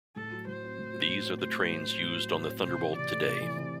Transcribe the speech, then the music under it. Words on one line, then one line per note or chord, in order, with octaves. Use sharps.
These are the trains used on the Thunderbolt today.
A2 A4
F#3
A2 C5
C4
A2
F#3
A2
C4
A2 C5
F#3
A2
C4
A2
F#3
A2
C4
C3 C5
E3
C3 D5
A3
C3
E3
C3